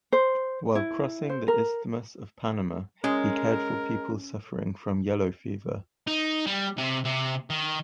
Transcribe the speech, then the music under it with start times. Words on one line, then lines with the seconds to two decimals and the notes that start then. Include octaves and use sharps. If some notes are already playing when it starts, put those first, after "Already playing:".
While crossing the Isthmus of Panama, he cared for people suffering from yellow fever.
0.13 C5
0.75 E4
1.29 C5
1.48 A#4
3.04 G#3 C#4 A#4
6.07 D#4
6.46 G3
6.78 C3
7.05 C3
7.50 D#3